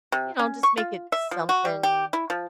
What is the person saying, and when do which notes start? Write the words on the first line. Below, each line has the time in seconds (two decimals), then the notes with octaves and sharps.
you know, just make it something.
0.12 C3
0.39 C#4
0.63 C#6
0.77 F4
1.12 E5
1.31 F3
1.49 F#4
1.65 G3
1.83 G4
2.13 E4
2.30 F3